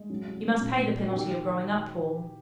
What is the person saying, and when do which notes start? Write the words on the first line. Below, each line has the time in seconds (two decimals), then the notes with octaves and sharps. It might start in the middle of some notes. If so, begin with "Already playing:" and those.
You must pay the penalty of growing-up, Paul.
Already playing: G#3
0.10 F#3
0.27 C2
0.44 F#3
0.61 A#2
0.79 A#2
0.96 A#3
1.01 F#4
1.13 D#3 G4